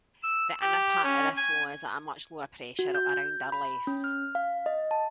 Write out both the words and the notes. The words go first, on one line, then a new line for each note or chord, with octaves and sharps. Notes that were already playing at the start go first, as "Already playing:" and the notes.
The inner part of the flow is at much lower pressure, around or less.
E6
G4
C#4
G#5
F#4
G6
B5
C#4
F6
F5
D#5
A5